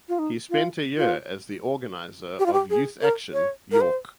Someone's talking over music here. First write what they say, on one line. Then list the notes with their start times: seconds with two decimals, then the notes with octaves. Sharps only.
He spent a year as the organiser of Youth Action, York.
0.09 F4
0.19 D#4
0.50 F4
0.98 F4
2.39 G4
2.46 F4
2.53 G4
2.70 G#4
3.01 A#4
3.33 C#5
3.72 A#4
3.81 C5